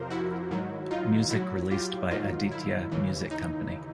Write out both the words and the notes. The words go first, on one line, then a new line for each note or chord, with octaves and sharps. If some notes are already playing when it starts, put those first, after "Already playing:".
Music released by Aditya Music Company.
Already playing: F2 C3 F3 A#4 C5
E4 F#4
G#2 D#3 F#3
D#4 F4
A2 F#3 E4 F#4
F4 G4
G#2 D#3 F#3 D#4 F4
E4
D#2 C#3 E3
D#4